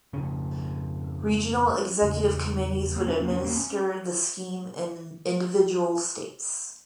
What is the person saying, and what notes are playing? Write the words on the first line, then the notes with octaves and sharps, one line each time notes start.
Regional executive committees would administer the scheme in individual states.
F2 C#3 C#4
E2 C#3
A#3
C#4
A#3
C#4
A#3
C#4